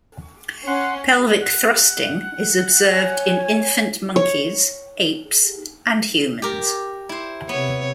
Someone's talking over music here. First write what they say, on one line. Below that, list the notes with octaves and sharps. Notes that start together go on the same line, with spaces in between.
Pelvic thrusting is observed in infant monkeys, apes, and humans.
C#4 F#5 C6
F#5
C#5 G#5
C#5
G4 A#4
E4 C5
C3 B3 C#5